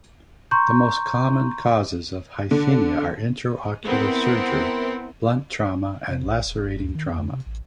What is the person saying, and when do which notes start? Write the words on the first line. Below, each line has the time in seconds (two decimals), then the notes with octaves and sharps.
The most common causes of hyphema are intraocular surgery, blunt trauma, and lacerating trauma.
0.51 A#5 C6 C#6 G6
2.51 D3
3.84 B3 C4 E4 A#4 F#5
6.10 C3
6.24 A#1
6.46 E1
6.64 F1
6.82 D2
6.95 D#3
7.09 F2
7.32 C3
7.46 A1